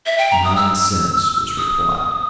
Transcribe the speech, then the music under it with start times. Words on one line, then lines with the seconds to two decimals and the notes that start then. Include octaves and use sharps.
"Nonsense," was replied.
0.06 E5
0.18 G5
0.31 A#5
0.44 D#6
0.56 E6
1.57 D#6